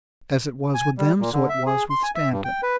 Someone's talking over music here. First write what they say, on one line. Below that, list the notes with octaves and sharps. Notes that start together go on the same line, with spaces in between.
As it was with them, so it was with Stanton.
G#5
G3
A#2
D3
E5
G#4
C6
G#5
E5
G2
G5
B4